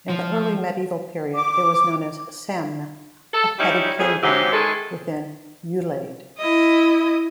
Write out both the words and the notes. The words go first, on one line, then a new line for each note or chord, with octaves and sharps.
In the early medieval period it was known as Semne, a petty-kingdom within Ulaid.
F3
D6
A4
G3 C#4 D#4 E4
F2 G#4
G#2 C3 F#3 G4
D#3 G#3 G#4 A4
E4 D#5